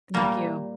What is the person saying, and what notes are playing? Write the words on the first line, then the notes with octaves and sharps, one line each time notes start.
Thank you.
A#2 G3 A#3